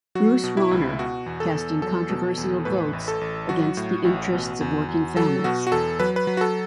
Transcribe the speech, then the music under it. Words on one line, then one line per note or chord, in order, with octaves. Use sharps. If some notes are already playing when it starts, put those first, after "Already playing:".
Bruce Rauner, casting controversial votes against the interests of working families.
F#3 F#4
B2
E4
C#2
B2 F#4
E2
A4
E2
F#3 A4
B2
E2
A2 B4
A1
A4
A1
F#3 F#4
A2
A1
B2
E2
E2
F#3 A4
B2 F#4
F#4
E2 A4
F#3 B4
B4
F#3
F#4
A4